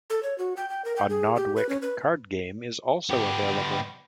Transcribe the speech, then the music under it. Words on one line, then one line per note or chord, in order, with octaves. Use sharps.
A "Nodwick" card game is also available.
A4
C#5
F#4
G5
G5
A#4
G5
G#4
G4
B4
C#4
B4
B3 G4